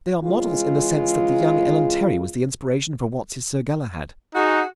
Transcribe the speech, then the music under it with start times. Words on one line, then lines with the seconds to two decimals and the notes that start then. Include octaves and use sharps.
They are models in the sense that the young Ellen Terry was the inspiration for Watts' Sir Galahad.
0.24 C#3 E3 G#3 F4
4.35 D#4 F#4 G#4